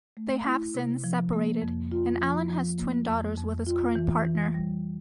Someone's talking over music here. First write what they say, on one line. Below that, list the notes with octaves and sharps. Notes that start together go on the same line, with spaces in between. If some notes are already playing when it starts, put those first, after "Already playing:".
They have since separated and Allan has twin daughters with his current partner.
A3
E4
C3
F3
A#3
F2
F4
F3
F3
A#3
F2
F2
F4
E3
E3
G3